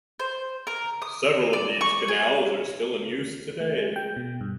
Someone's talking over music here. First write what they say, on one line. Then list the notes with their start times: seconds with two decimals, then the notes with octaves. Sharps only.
Several of these canals are still in use today.
0.19 C5
0.67 A#4
1.02 D#6
1.53 D5
1.81 C#6
2.08 G#4
3.60 A3
3.78 G#3
3.96 G5
4.17 B2
4.41 G2